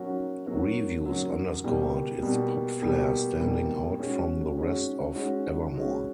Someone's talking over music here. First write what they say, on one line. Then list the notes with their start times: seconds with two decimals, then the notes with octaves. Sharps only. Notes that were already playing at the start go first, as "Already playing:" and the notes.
Reviews underscored its pop flair standing out from the rest of "Evermore".
Already playing: F#3 A#3 C#4 F#4
0.46 F#3 A#3 C#4 F#4
1.05 F#3 A#3 C#4 F#4
1.64 B2 G3 A#3
2.22 B2 G3 A#3
2.81 B2 G3 A#3
3.39 B2 G3 A#3
3.98 G#3 C#4 F#4
4.57 G#3 C#4 F#4
5.15 G#3 C#4 F#4
5.74 G#3 C#4 F#4